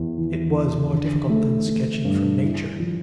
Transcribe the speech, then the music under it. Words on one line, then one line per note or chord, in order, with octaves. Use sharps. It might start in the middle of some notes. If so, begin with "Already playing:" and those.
It was more difficult than sketching from nature.
Already playing: E2
E3
E4
D3
A3
A3
G2
E4
F3